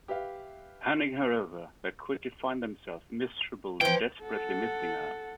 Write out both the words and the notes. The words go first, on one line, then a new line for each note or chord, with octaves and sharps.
Handing her over, they quickly find themselves miserable and desperately missing her.
G4 B4 E5 F5
E3 F3 G5
A4 F#5